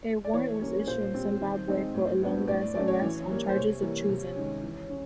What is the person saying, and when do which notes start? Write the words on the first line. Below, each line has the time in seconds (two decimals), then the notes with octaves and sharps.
A warrant was issued in Zimbabwe for Olonga's arrest on charges of treason.
0.24 D5
0.33 E3 C#5
0.60 G3 A#3 C#4
0.87 A#2 C5
1.14 G3 C4
1.41 D#3
1.68 G#3 C4 D#4
1.94 A2
2.21 F#3 B3 D4
2.48 A2 D5
2.75 F#3 A3 C#4 D5
2.88 C#5
3.02 E3
3.28 G3 A#3
3.49 C5
3.56 C3 C#5
3.82 E3 G3 A#3
4.09 C3
4.36 D#3 G#3 C#4
4.63 E3
4.89 C#4